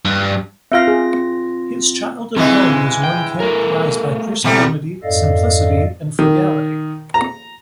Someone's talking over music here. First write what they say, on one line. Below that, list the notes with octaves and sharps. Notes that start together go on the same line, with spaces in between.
His childhood home was one characterized by Christianity, simplicity and frugality.
G2
C4 F4 E5 F5 A#6
G#4
G2 E3 G#3 C4 G#5
G5
A3 A#4
E2 B2 G3 A3 C4
F2 G#2 A4 D5 D#5 F5
D#3
A#5